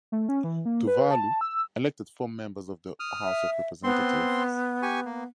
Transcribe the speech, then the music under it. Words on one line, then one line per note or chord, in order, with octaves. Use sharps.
Tuvalu elected four members of the House of Representatives.
A3
C#4
E3
A#3
B4
A5
E6
D#6 F6
E5
B3 C4 C6
G4 G#5 C#6
A#3